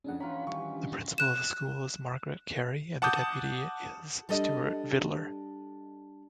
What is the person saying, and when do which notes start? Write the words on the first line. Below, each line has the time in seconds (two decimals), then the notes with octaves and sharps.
The principal of the school is Margaret Carey, and deputy is Stewart Vidler.
0.04 F2 C#3 C#4 D4 F#5
0.20 E3 F4 C#5 G5 A#5 B5
0.47 D#3 E3 G3 G#5 C#6
1.18 F#6 E7
3.02 F#5 A5 D6 D#6 G6
4.29 G3 D4 A4 D#5